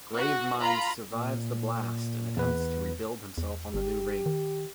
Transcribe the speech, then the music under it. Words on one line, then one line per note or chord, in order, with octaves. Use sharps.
Gravemind survives the blast and attempts to rebuild himself on the new ring.
F#4
F4 A#5 B5
A#2
E2 B3 B4
E2
G1 G4
D#3